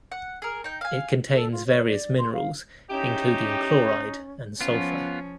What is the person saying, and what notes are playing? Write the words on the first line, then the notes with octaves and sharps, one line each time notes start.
It contains various minerals including chloride and sulphur.
F#5
G#4 A#4
D#4 G5
F5 G#5
A4
F4
C#5
D5
C6
F5
C#4 D#4 E4 G4
F3 B3 C#4 F4